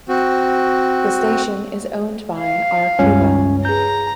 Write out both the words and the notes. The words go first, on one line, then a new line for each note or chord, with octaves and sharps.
The station is owned by Arqiva.
C4 F#4
F5
C#2 G2 C#4
G#4 B4 A#5 G6